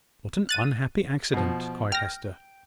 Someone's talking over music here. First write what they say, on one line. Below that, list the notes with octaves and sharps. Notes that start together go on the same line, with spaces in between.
"What an unhappy accident!" cried Hester.
F#6 A6 D#7
B2 F3
G5 F6 A#6